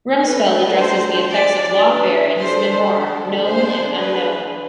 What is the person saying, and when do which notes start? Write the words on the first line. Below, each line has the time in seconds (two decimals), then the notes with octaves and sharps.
Rumsfeld addresses the effects of lawfare in his memoir "Known and Unknown".
0.22 A3 D4 A4 B4
0.77 C5
1.30 D4 G#4 D5
1.84 B4
2.38 D4 A4 C5
3.45 D4 C5
3.50 G#4
4.00 B4